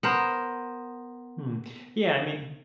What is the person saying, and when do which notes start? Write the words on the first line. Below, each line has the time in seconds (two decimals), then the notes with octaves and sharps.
Hmm. Yeah, I mean
0.03 B3 A#4 C5